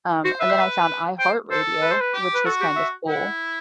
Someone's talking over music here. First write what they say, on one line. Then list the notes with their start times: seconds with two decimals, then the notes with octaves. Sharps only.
Um, and then I found iHeartRadio, which was kind of cool.
0.24 F#4 C5
0.40 B4 E5
0.50 C5
0.59 B4
1.19 C5 G5
1.50 A4 C5
1.82 B4
1.91 C5
2.01 B4
2.13 G4
2.35 B4
2.46 F#4 A4
2.61 G4
2.76 E5
3.08 E4 F#5